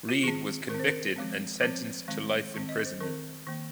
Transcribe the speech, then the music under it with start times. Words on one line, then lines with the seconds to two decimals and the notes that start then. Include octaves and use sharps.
Reid was convicted and sentenced to life imprisonment.
0.09 F4
0.24 D#3 C4 G#4
0.69 D#3 C4 A#4
0.80 C5
0.89 A#4
1.16 F3 G#3 C4
1.61 F3 C4 C5
2.08 D#3 G#3 C4
2.54 D#3 C4
2.69 D#5
2.85 C5
3.00 D#3 C4 A#4
3.47 D#3 A#3